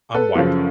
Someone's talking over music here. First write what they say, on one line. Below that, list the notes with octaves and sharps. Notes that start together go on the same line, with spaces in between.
I'm white,
A4 B4
F#2 C#3 F3